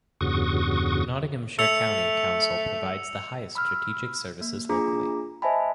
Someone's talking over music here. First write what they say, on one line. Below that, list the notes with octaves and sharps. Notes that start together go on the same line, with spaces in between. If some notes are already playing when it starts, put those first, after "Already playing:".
Nottinghamshire County Council provides the highest strategic services locally.
E2 G2 C#3 F#4 C#6 D#6
A3 E6 C#7 F7
B5 E6 F6
A#3
A#3 D4 F4 G#4 A#5 D6
C5 D#5 E5 G#5 A5 B5